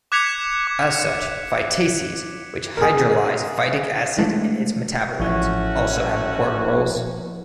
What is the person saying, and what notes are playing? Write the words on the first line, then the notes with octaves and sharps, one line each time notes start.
As such, phytases, which hydrolyze phytic acid and its metabolites, also have important roles.
D6 F#6 G#6 B6 C#7 F7
D6
G#4 A#4
G#3 A3 D4
A1 F3 A3 C#4 E4 F#4